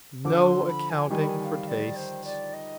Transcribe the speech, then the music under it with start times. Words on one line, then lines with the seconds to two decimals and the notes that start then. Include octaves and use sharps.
No accounting for tastes!
0.25 D3 F3 D6
0.46 C6
0.68 B5
0.90 G#5
1.11 D#3 G3 G#5
1.20 B5
1.28 G#5
1.39 G#5
1.44 F5
1.68 D5
1.96 C5
2.25 D5
2.53 D#5